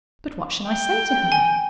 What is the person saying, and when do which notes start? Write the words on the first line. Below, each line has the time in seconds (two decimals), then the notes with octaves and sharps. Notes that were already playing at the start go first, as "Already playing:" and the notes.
"But what shall I say to her?"
0.69 G5
1.32 G#5